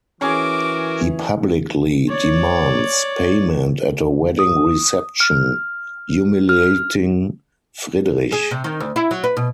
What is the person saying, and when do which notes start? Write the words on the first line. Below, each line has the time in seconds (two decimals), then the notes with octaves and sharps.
He publicly demands payment at a wedding reception, humiliating Friedrich.
0.21 E3 C#4 F#4 G#4 A#4 D6
2.08 C#5 D5
4.39 D#6
5.20 F6
6.49 F6
8.32 G#4
8.51 C3
8.64 D#3
8.80 D2
8.96 E4
9.11 F#3
9.24 B4
9.37 B2